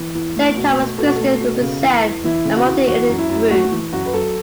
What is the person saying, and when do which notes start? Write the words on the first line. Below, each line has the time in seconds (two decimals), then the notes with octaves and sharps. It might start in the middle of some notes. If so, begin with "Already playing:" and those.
Saint Thomas Christians represent a multi ethnic group.
Already playing: E3
0.15 E2
0.36 A3
0.57 B2
0.78 A3
0.98 B2 A4
1.07 F#4
1.16 A3 A4
1.40 B2
1.61 C#3
1.83 E2
2.03 E2
2.24 E3 E4
2.45 C#3
2.56 F#4
2.66 E2
2.87 E3 F#4
3.08 F#2
3.18 E4
3.30 F#2
3.50 A3 F#4
3.72 E3
3.92 F#2 F#4
4.06 B4
4.13 F#3 A4